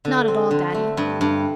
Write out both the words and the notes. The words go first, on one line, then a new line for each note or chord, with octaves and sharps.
"Not at all, Daddy."
D3
C4
D3
A3
G2
G2